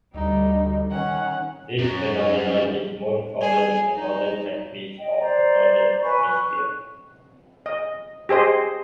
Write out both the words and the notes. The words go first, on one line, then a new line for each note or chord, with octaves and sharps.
This phenomenon is most common in the northern countries of the Northern Hemisphere.
D2 G3 D#4
D#3 C#4 F#5
F#2
G#4
D#4
D#5 G5
C5 D5 A#5
B4 G#5 B5 C#6
C#6 F#6
D#5
G4 G#4 C5 D#5